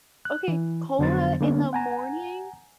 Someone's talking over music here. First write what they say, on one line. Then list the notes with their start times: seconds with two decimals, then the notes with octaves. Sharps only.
Okay, cola in the morning?
0.25 F#6
0.48 E3
0.99 F2 D3 F#3 B3 C5 A6
1.41 D3 G3 A#3 B3 C#4 D4
1.73 F#5 G#5 A#5